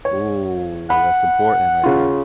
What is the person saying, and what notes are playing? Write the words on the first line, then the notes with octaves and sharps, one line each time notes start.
Ooh, that's important right there.
C#5
F#5 B5
C#3 F4